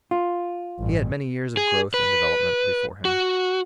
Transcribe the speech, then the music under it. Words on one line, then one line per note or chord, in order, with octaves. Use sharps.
He had many years of growth and development before him.
F4
A1 G2
G#4
B4
F#4